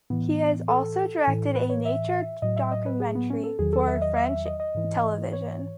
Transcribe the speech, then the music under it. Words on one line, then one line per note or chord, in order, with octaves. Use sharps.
He has also directed a nature documentary for French television.
A2 E3 B3
A4
A2 E3
B4
C#5
E5
A2 F#3 D#5
E5
D#5
B4
G#4
B3
C#4
A4
E2 D#3 F#3 G#4
A4
E5
D#5
E5
D#5
D#5
G#2 E3
C#5